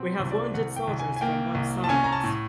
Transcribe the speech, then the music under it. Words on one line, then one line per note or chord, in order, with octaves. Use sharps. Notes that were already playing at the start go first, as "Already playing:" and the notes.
We have wounded soldiers from both sides.
Already playing: B2 C4
C2
D5
C2 F#5
G5
C2
G#5
G#5
A#3 G5
C2
A5
C#4 G#5
A#5
A5
A2